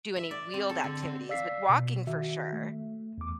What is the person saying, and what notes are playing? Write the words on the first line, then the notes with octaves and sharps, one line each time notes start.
do any wheeled activities, but, walking for sure.
E5
D5
C4
A4
D3
C4
D5 F5 E6 B6 C7
B2
D#3 F#4 E5
A3
E2 D6